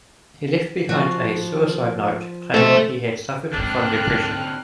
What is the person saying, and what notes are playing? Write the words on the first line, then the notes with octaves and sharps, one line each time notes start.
He left behind a suicide note claiming he had suffered from depression.
F3 F#4
B2 A3 C4 A4 E5 E6
D2 G#2 D3 C4 D4 G5 F6 F#6